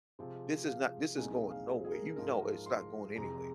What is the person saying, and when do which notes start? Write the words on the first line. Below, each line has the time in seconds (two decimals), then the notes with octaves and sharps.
this is not this is going nowhere," you know it's not going anywhere,
0.19 C3 F3 G#3 C4
0.68 F5
1.17 C2 A#2 G#3 C4 D#4 G#5
1.34 G#5
1.51 F5
1.67 G#4
1.85 G#4
1.92 A#4
2.16 G#2 F3 G#3 D#4 A#4
2.66 C6
3.16 F2 C3 G#3 A#5